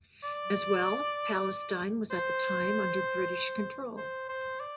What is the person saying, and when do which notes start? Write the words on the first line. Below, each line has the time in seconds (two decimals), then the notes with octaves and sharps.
As well, Palestine was at the time under British control.
0.23 D5
2.11 C5
3.97 C5
4.29 C5
4.60 D5